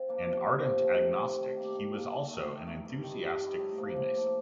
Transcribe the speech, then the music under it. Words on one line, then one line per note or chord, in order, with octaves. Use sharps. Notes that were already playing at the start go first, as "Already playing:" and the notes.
An ardent agnostic, he was also an enthusiastic freemason.
Already playing: C4 F4
F3 A#3 D4
C3
F3 A#3 D4
C3
D#3 A3
C3
D#3 A3
D#3
A#3 D4 G4
D#3
A#3 D4 G4
D#3
A3 D#4
D#3
A3 D#4
G2
D#3 G3
G2
D#3 G3
A2
F3 A#3
A2
F3 A#3